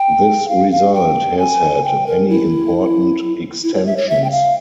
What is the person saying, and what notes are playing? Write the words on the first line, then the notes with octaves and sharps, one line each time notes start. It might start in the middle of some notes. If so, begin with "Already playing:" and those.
This result has had many important extensions.
Already playing: G5
F5
F5
G5
G#5
G5
A#4
E4
E4
C#5
E5
C#5
E5
G5
F5